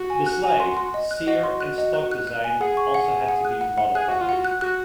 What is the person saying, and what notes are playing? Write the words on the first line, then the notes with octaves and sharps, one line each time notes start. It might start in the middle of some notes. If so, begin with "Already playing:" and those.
The slide, sear, and stock design also had to be modified.
Already playing: F#4
G#5
F#6
G#5
C6
C6
D#5
F#6
F#4 D#5
C6
F#6
D#5
F#6
F#6
F#6
G#5
G#4 F#5
C#6
F#5
F#5
F#5
F#6
F#5
F#5
G#4 F#6
F#4 F#5
F4
F#4 F#5
F#6
F#4 F#6